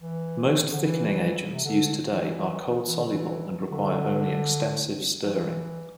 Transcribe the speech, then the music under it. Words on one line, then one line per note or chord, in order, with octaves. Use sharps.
Most thickening agents used today are cold-soluble and require only extensive stirring.
E3
D3
E3
C3
D3
E3
E3
D3
E3
D3
F3
E3